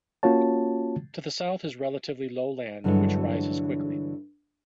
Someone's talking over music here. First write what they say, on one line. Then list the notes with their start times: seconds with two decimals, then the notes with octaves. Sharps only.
To the south is relatively low land, which rises quickly.
0.23 A#3 C#4 F4 F#4 C#5 A5
2.84 G2 D3 E3 F#3 G#3